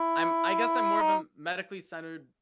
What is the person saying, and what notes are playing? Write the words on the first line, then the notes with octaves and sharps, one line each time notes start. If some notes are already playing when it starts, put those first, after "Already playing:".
I'm I guess I'm more of a medically centered
Already playing: E4
D#4